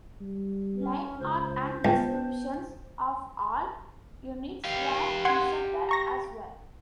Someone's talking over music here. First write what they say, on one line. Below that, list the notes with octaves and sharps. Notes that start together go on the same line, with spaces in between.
Line art and descriptions of all units were inserted as well.
G3
C#4
C#2 C5
C#2 B3 G5 A5
G4 F5
F#5 C6 G#6
A#5 C#6 A#6